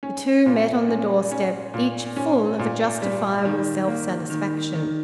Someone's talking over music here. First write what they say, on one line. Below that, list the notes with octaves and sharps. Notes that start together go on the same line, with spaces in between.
The two met on the doorstep, each full of a justifiable self-satisfaction.
C#4
A#2
C#4
C#4
A#2
C#4
A#2
G3
D#3
A#3
D#3
D#3